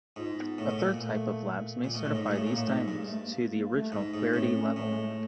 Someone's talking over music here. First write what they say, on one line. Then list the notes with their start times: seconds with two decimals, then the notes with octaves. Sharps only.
A third type of labs may certify these diamonds to the original clarity level.
0.16 G#2 F4
0.38 B3
0.58 A2
0.69 B2
0.79 A#2
0.92 A#3
1.01 A3
1.84 A#2 G#3
1.94 B2 A3
2.05 A2 G#3
2.15 G#2
2.25 A#2 A3
2.36 A2
2.46 A#2 A#3
2.57 A2
2.67 G#2 A3
2.87 G2 A#3
3.00 G#3
3.08 A3
3.23 A#3
3.37 A#3
3.51 A#3
3.72 A3
3.92 G#2
4.14 G#2 A3
4.34 A2 C4
4.55 C#4
4.75 A2 A3
4.90 G#3
4.97 A3